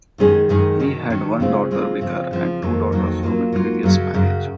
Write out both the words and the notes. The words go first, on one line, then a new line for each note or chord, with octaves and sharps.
He had one daughter with her and two daughters from a previous marriage.
F#2 D#3 G#3 C#4 G#4
F#2 D#3 G#3 C#4 G#4
D#3 F#3 C#4
D#3 F#3 C#4
C#3 G#3 C4 F4
C#3 G#3 C4 F4
C#3 F3 C4
C#3 F3 C4
F2 D#3 F#3 A#3
F2 D#3 F#3 A#3
F#3 A#3 F4
F#3 A#3 F4
F#2 C#3 F#3
F#2 C#3 F#3